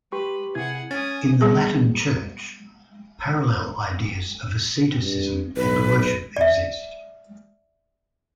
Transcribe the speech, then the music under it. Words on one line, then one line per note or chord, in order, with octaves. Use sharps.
In the Latin Church, parallel ideas of asceticism and worship exist.
G4 B4 C6 C#6
C3 E4 G#4 F#5 G#6
C#4 G#5 D#6 A6
G3 B3 G#4
G2
B1 B4
D5 E5